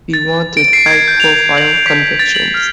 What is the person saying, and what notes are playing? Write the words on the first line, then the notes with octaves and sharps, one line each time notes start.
He wanted high-profile convictions.
A6
D7
C7
G#6
G6
F7
F#7
B6
A6
F#7
F6